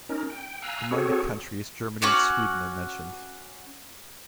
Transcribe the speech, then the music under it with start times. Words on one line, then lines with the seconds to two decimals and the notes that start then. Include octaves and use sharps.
Among the countries Germany and Sweden are mentioned.
0.09 C#4 D#4 A#4
0.30 G5
0.62 F5 G#5 A#5 E6 F#6
0.91 C4 F#4 G#4 A4 C#5
2.02 C#4 F#4 F#5 D6